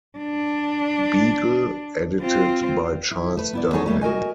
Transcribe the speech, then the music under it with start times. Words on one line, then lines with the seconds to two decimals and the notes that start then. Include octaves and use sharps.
Beagle, edited by Charles Darwin.
0.18 D4
2.22 C4 F4
3.11 E4
3.37 A3 B4
3.53 B3 E4 D5
3.73 B3 D#4 G#4 A4 C#5
3.86 G3 A3 A#3 C#5
4.01 F#4 A#4 D#5 G#5